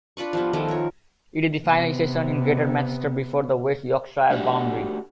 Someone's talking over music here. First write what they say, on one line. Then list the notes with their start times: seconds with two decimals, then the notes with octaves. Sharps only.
It is the final station in Greater Manchester before the West Yorkshire boundary.
0.17 D4 F4 B4 C#6
0.33 F3 G3 B3
0.53 D#3 F3 A3
0.68 A#4 C#5
1.67 C3 B3
4.30 A3 D4 F#4 G4 F#5